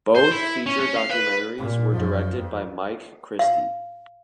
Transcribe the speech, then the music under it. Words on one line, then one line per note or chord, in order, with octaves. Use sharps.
Both feature documentaries were directed by Mike Christie.
C5
E4
C#4
C#4
F5
B4
A#2
F#2 F3
F2
F5